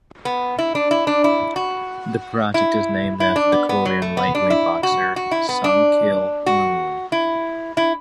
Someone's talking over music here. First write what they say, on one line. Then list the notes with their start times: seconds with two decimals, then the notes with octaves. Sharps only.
The project is named after the Korean lightweight boxer Sung-Kil Moon.
0.25 B3
0.59 E4
0.75 D4
0.91 E4
1.07 D4
1.24 E4
1.56 F#4
2.54 E4
3.20 E4
3.36 D4
3.52 B3
3.69 B3
3.85 F#3
4.02 A3
4.17 B3
4.35 D4
4.50 E4
4.83 F#4
5.16 F#4
5.31 E4
5.49 B3
5.64 D4
6.46 F#4
7.12 E4
7.77 E4